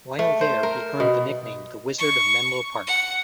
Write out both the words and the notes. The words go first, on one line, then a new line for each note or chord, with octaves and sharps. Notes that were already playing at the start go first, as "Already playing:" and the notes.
While there he earned the nickname the Wizard of Menlo Park.
A3
C5
A#4
B2
C#6
F#5